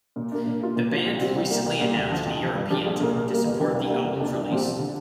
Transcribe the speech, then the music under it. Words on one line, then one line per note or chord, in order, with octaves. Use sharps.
The band recently announced a European tour to support the album's release.
A#2
A#3 D4
A#2
A#3 F4
A#2
F3 D4 F4
C2
C3 G3 C4 F4
C2
C3 A#3
C2
A#2 G3
D2
D3 F3 D4
F2
C3 F3
G2
F3 D4 G4
A#1
A#2 A#3
A#2
G3 A#3
G1
F2 C3 G3 D4
C2
C3 G3 A#3 G4
F1
F2 F3 A#3 D4
C2
A#2 F3 C4 G4
F1
D3